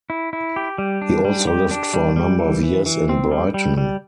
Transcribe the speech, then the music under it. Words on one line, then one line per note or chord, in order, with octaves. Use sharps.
He also lived for a number of years in Brighton.
E4
E4
G4
G3
D4
G3
G4
D4
G3
G3
E3
E3
E3
C4
G3
G3
G3